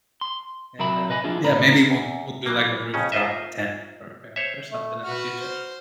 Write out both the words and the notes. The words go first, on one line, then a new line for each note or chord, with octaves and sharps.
And, uh, yeah, maybe we'll we'll do, like, a rooftop tent for our family or something in the future.
C6
C3 F#3 A#4 E5 B5
B4 D#5 G#5 B5
F3 B3 D4 E4 F4 G#4
A2 C#4 B4 A#5 B5
E2
E3 F#3 A#3
F2 C#3 C#4
F4 A#4 C5 D#5 E5
C5 C#5 E5
A3
F#4 B4 F6
C5